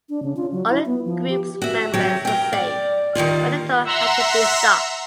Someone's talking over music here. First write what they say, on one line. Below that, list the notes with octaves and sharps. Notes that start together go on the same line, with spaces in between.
All of the group's members were safe, but the tour had to be stopped.
D4
C#3
F4
F#3
E4
B3
F3
G4
F#4 E5
F#3 G4
A#4 G5
D5
D#3 G3 A#3 F4
E5 F#5 A#5 C6 E6